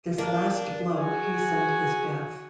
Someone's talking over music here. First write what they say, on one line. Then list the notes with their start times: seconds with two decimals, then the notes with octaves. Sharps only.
This last blow hastened his death.
0.18 A#3 D5 A5
0.98 F#4 G#4 G#5